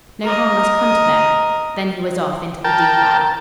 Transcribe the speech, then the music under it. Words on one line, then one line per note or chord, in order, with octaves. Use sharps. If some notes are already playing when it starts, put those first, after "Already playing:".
"No harm must come to them." Then he was off into the defile.
A#4 D#5
A#4 G5 A5